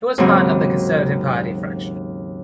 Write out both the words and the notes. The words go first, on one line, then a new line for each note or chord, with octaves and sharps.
He was part of the conservative party fraction.
D#2 G#2 C#3 F#3 C4